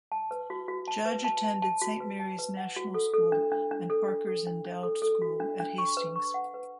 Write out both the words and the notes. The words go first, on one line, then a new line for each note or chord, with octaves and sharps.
Judge attended Saint Mary's National School and Parker's Endowed School at Hastings.
A5
B4
F#4
F#4
A5
B4
A5
A5
A5
F#4
B4
A5
B4
F#5
F#4
A4
A4
D4
D4
D4
A4
D4
A4
D4
D4
A4
A4
F#4
D4
D4
C#6
B4
C#6
F#5
B4